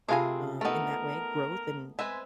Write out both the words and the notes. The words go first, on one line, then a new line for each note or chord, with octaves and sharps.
um, in that way, growth and
C3 A3 C4 F4 G#4 F5 G#5 A5
A3 B3 D#4 A4 A#4
G#3 C4 B4 E5 G#5